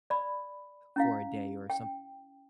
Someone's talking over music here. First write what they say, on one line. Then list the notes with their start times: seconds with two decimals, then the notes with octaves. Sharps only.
for a day or something
0.10 D5 B5
0.96 C#4 E4 F5
1.70 G5